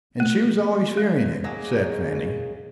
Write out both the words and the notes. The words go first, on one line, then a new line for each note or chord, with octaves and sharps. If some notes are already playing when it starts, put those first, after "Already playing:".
"And she was always fearing it," said Fanny.
A3
G#3
F#3 G#3 A#3